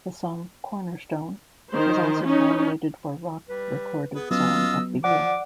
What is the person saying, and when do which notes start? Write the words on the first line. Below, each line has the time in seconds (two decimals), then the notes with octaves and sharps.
The song "Cornerstone" was also nominated for Rock Recorded Song of the Year.
1.73 D#3 C5
2.25 C#4 D#4
3.49 G3 B4
4.15 B3 G#4 B4
4.31 F#3 B3 C#4 F4 D#5 E6
5.04 F3 D5 F#5 D6